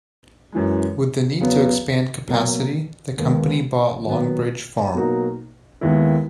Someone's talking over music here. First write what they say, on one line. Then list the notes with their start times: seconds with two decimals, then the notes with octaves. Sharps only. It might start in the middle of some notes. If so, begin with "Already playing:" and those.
With the need to expand capacity, the company bought Longbridge farm.
0.52 F#2 E3 G#3
1.41 E2 C#3 F#3 B3
2.28 B2 F#3 A#3
3.17 D#2 D#3 G#3 B3
4.05 D#3 F#3 B3
4.94 B2 F#3 A#3 D#4 F#4
5.81 D#2 D#3 G#3 B3 E4